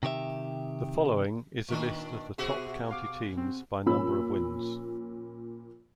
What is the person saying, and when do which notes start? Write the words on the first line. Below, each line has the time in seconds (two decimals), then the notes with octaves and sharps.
The following is a list of the top county teams by number of wins.
0.03 C3 D#3 G4 C#5 E5
1.69 A#2 D#3 D4
2.38 B2 F#4 G#4 E5
2.90 F5 D6
3.37 C4
3.86 A#2 F3 C#4 B5 E6